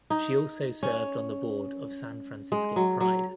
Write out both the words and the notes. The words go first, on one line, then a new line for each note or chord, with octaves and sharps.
She also served on the board of San Francisco Pride.
D#4
C#4
G#3
F#3
F#3